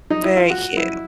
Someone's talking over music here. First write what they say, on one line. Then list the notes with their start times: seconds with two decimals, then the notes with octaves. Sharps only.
Very cute.
0.10 D#4
0.23 E4
0.37 F4
0.50 F#4
0.77 E4